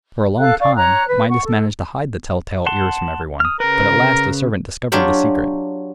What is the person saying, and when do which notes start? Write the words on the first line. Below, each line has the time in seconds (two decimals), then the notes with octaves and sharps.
For a long time Midas managed to hide the tell-tale ears from everyone; but at last a servant discovered the secret.
0.40 A4 F5 F#6
0.59 D5 F5 C#6
0.76 C#5 A#5 F#6
1.07 B4
1.29 F#5 C#6
1.43 A4
2.66 F#5 A5 C6
3.40 D#6 F6
3.60 C#3 A#4 B4
4.92 F#3 D4 F4 G4 C#5